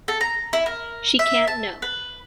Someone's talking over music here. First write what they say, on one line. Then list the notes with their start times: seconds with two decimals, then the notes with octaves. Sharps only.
She can't know.
0.08 A4
0.21 A#5
0.53 E4
0.66 A#4
1.19 E5
1.47 A5
1.82 B4